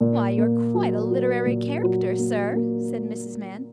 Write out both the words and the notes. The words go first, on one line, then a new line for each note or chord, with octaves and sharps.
'Why, you're quite a literary character, sir!' said Mrs. Mann.
A#2
A#3
F#3
F#3
A#2
F#3
A#3
A#3